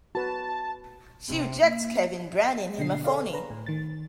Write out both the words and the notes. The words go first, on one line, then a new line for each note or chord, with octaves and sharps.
She rejects Kevin, branding him a phoney.
F#4 B4 A5
C3
A#3
B2 D3 C7
G#4 A4 C#5 D5 F5
B4 A#5
A2
D#3 A6